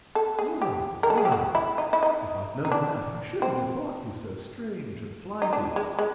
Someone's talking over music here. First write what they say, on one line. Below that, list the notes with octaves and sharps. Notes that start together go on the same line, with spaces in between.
Well, well; if I'd known that, I shouldn't have thought you so strange and flighty.
A4
G#4
G4
A#4
A4
G#4
G4
F#4
E4
D#4
E4
D#4
D#4
D4
C4
D#4
D4
G#3
G#3